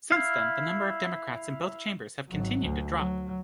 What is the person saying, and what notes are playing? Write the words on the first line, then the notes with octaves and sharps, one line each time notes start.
Since then, the number of Democrats in both chambers have continued to drop.
E4 F5
G#1 F#3
D2
F#3